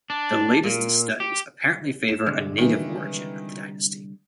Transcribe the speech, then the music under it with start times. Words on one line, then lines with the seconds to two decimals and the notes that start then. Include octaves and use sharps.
The latest studies apparently favour a native origin of the dynasty.
0.10 D4
0.64 A#2
1.20 G4
2.08 E7
2.26 C2 D3 G#3
2.58 D#3 E3